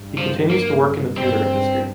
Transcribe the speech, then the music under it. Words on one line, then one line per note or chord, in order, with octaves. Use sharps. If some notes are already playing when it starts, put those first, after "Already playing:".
He continues to work in the theater industry.
Already playing: G2
F3
A#3
G2 C4